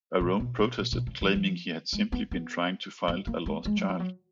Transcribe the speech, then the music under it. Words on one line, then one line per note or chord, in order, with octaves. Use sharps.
Arone protested, claiming he had simply been trying to find a lost child.
A#2
B2
B2
A#2
B2
C#3
F3
F3
G#3
B3
B3
B3
A#3
G#3
G#3
F#3
F3
F#3